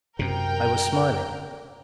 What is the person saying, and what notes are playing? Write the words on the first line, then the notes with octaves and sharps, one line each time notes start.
I was smiling.
F#2 C3 A#4 G5